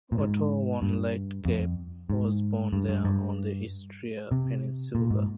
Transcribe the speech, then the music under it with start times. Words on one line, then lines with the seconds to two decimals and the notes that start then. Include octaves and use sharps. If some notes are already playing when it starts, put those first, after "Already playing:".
Otto von Leitgeb was born there, on the Istria peninsula.
0.12 A#2
0.18 G#2
0.82 G2
1.45 F2
2.10 G#2
2.73 G2
2.89 G2
3.05 G2
4.31 C3
4.95 A#2
5.11 G#2